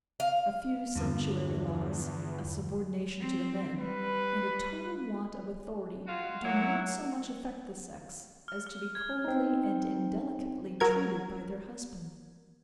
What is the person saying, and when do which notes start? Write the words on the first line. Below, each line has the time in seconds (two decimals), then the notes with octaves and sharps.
A few sumptuary laws, a subordination to the men, and a total want of authority, do not so much affect the sex, as to be coldly and indelicately treated by their husbands.
0.20 F5
0.95 E2 G2 D3 F3
3.20 C4
3.79 G3 B4
6.07 G#3 F4 F#4
6.44 F#3 A#3 E4 C#5 F#5
8.48 F6
8.67 F6
8.95 G#6
9.24 C4 D#4
10.80 F#3 A#4 G#6